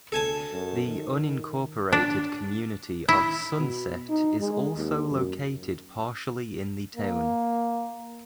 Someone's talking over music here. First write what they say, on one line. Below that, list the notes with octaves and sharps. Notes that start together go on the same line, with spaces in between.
The unincorporated community of Sunset is also located partially in the town.
D2 A4 G#5 A5
F#2
D#3
D4
E4
B2
D#4
G#3
D#2
F#2
A#3